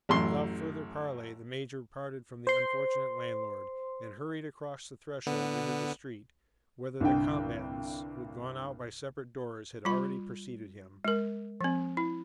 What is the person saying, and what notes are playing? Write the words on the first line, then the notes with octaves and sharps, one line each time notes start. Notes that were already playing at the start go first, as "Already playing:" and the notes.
Without further parley the major parted from the unfortunate landlord, and hurried across the threshold into the street, whither the combatants, who had gone out by separate doors, had already preceded him.
A1 F#2 C6
C5 C6
D3 B3
C2 G2 D3 G5
G3 F4 B5
G#3 A#4
F3 C4
E4